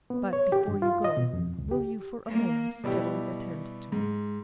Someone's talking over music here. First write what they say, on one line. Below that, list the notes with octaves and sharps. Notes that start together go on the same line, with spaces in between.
But, before you go, will you, for a moment, steadily attend to me?
B3
C#5
G4
G2
F4
D#5
B2
F2
C#2
G4
A#3
B2 G3 E4 G4
G#2